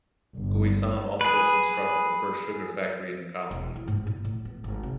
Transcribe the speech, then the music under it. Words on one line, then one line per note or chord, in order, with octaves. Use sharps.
Guisan also constructed the first sugar factory in the colony.
G1
G#4 B4
E1
E4
G#2
A#2
A2
B3
G#1
C3